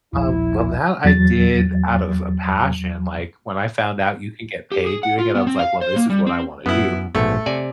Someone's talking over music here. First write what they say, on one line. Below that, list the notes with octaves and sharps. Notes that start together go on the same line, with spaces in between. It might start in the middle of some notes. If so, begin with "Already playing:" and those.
Um, well, now I did out of a passion, like, when I found out you can get paid doing it I was like, "Well, this is what I wanna do,"
D#1 A#1 F3 E4
E2 F#3 A6
G4
G#4
F#5
F4
B3
C4
F5
C5
A#3
G3
C4
F#2 B3 E4
A#1 G#2 B2 A3
C3 D5 G#5